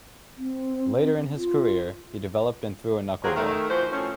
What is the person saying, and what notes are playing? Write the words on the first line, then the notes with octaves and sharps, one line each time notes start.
Later in his career, he developed and threw a knuckleball.
C4
F4
F#3 A#3 C4 F4 G4 G#4
D#3 A3
E3 F3 F4 F#4 C5
A2 F3 C4 C#4